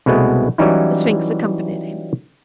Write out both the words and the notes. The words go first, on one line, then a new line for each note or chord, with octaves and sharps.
The Sphinx accompanied him.
C2 B2 G#3 A3 B3
E3 F#3 G3 C#4 D#4 E4